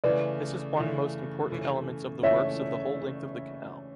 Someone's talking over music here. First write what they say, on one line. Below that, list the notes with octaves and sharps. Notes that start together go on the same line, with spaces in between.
This is one most important elements of the works of the whole length of the canal.
C#3 E3 A3 B4 D5
C#3 E3 A3
C#3 E3 A3
C#3 E3 A3 C#5 E5